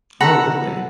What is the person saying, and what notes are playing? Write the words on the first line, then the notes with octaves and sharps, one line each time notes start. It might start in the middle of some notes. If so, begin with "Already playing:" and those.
Oh, really?
A4 F#5 A#5 B5